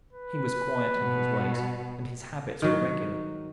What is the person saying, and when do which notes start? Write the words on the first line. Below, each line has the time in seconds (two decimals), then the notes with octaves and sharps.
He was quiet in his ways, and his habits were regular.
0.13 B4
0.98 B2
2.62 D#3 F#3